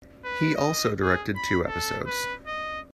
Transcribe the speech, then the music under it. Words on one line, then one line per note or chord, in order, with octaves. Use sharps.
He also directed two episodes.
B4
D#5
G#4
B5
A4
B4
D#5